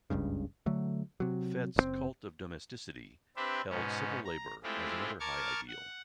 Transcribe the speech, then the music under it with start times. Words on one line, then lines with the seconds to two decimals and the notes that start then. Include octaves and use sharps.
Fet's 'cult of domesticity' held 'civil labour' as another high ideal.
0.10 F#1 C#2 G2 C#3
0.66 D3 F#3 A3
1.20 C3 F#3
1.76 F#1 B2 C4
3.36 C4 D4 G4 B4 C5 E5
3.70 G#2 B2 C#4
4.25 A#5
4.63 G#3 A3 C4 E4 F4 G4
5.20 A#4 A5 C#6 D6 F6 G#6
5.68 F#5